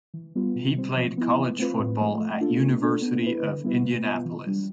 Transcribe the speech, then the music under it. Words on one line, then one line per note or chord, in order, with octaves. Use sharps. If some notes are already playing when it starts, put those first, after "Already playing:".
He played college football at University of Indianapolis.
E3
G3 B3 F4
B2
G3 C4
F3
B3 E4
E3
A3 C4 F4 B4
A2
F3 A3
A3
D4 F4 A4
B3
D4 A4
B3
E4 B4
D3
G3 B3 E4 B4
B2
B3 F4
E3
G3 D4